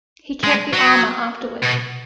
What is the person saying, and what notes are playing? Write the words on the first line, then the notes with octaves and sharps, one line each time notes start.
He kept the armor afterward.
G#3
F#3
B2